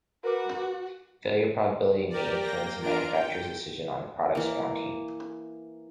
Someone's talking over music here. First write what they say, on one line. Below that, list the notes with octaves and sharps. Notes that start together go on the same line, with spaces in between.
Failure probability may influence a manufacturer's decisions on a product's warranty.
F#4 A#4 B4 D6
G4 A#4 D5
A#3 G5 A#6
D4 F4 A#4 A#5 D7
G5
E3 A#3